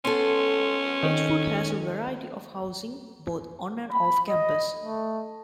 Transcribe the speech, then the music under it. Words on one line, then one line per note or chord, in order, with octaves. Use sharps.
Edgewood has a variety of housing, both on and off campus.
B3 C#4 A4 C6
D#3
B5
D#5
A3